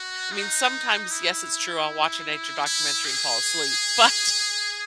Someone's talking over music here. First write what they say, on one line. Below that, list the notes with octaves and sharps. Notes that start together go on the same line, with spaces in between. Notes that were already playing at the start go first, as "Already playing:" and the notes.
I mean, sometimes, yes, it's true I'll watch a nature documentary and fall asleep, but
Already playing: F#4
D#4
E4
E4
G#4